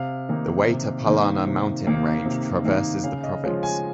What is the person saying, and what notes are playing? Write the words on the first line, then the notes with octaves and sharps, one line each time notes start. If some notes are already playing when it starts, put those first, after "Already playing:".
The Waytapallana mountain range traverses the province.
Already playing: C3 F5
D#3 A#3 D#4
C3
D#3 A#3 D#4
C3
D#3 A#3 D#4
C3
D#3 A#3 D#4
C#3 F5
D#5
F3 G#3 C#4 F4
G#5